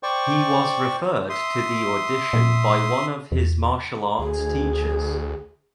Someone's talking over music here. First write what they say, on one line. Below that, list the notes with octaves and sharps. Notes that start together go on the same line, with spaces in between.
He was referred to the audition by one of his martial arts teachers.
C5 D5 G5 C#6
E5 C6 D#6
A#2
E2
D2 G#4